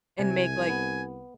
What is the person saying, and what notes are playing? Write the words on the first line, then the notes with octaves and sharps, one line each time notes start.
and make, like,
C2 C3 G#5
B3